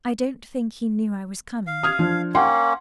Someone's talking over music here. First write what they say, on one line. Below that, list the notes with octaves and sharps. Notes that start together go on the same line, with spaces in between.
"I don't think he knew I was coming."
F5
D#6 F6 G#6
F3 D4
A#3 C#4 F#5 G5 C6